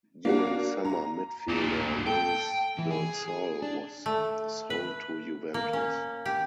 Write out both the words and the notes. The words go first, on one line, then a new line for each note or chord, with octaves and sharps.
During summer midfielder Luis Del Sol was sold to Juventus.
A#3 D4 F#4
A#5
D2 A#2
A4 G5
E3
G#4
G#4
D4
A3
B4
A#3
C#4
G4